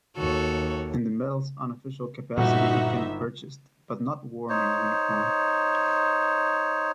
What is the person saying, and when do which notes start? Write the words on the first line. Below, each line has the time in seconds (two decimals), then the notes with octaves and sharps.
In the medal's unofficial capacity it can be purchased, but not worn in uniform.
0.18 D#2 F#4 A4 C#5
2.38 G1 A#2 D#4 F#4 E5
4.49 D#4 C5 C#5